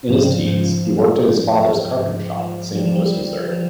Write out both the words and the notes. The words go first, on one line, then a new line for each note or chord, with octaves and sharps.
In his teens, he worked in his father's carpenter shop in Saint Louis, Missouri.
G#2 F3
G3
F3
G#2 F3
F3
G#2
F3
G#2
F3
F3 G3
F3
G3
F3
F3